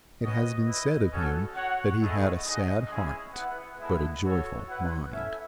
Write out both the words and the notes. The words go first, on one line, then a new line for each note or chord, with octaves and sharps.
It has been said of him that he had a sad heart but a joyful mind.
C#4 F#4 B4 D#5
E4 B4 D#5
C#4 F#4 A4
F#4 C#5 F#5
A3 C#4 E4 G#4 D#5
D#4 G#4 D#5 F#5
G#3 C#4 E4 G#4
B3 E4 B4 F#5
G#3 B3 E4 A4
F#4 A4 C#5
E4 B4 F#5
C#4 E4 A4 E5